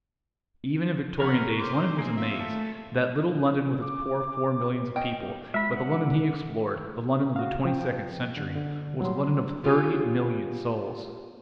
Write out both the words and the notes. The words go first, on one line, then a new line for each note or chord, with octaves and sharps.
Even in Victorian days London was a maze, that little London with its poor four millions of people; but the London he explored, the London of the twenty-second century, was a London of thirty million souls.
A#4 C#5 F#5 B5 C6 F6
C5 C6 D6
A#3 C4 E4 G#4
F4 E5
A3
A5
D6
C#4 D#5 G5
G#3 E5 B5
D3 F#5
F#4 F5
F3 G5
F#2 D3
D3
F#3 G3 C6
B3 F4 G4 C#5 G#5